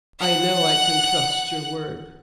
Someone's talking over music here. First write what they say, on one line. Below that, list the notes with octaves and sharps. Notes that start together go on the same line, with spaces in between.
"I know I can trust your word."
F#5 F#6